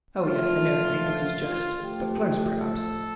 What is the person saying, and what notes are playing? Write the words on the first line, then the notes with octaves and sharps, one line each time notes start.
"Oh, yes, I know Athos is just; but close, perhaps?"
A2 F3 A3 F4
A2 F3 A3 G4
A4